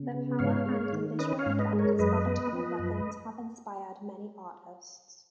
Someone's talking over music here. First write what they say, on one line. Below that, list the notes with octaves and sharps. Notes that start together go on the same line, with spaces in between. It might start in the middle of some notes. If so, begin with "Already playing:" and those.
The power and the visual effects of atomic weapons have inspired many artists.
Already playing: C#3
B3
G#2 C#5 F5
G#3
D#3
C#4 B4 D#5
C#5 F5
G#2
B4 D#5
G#3
A#4 C#5
F#2 B4 D#5
B3
F3
F#2